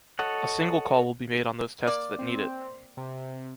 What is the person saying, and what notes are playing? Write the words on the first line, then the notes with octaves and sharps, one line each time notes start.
A single call will be made on those tests that need it.
F#4 A4 C#5 D#5 F#5
A#3 D5
C4
C3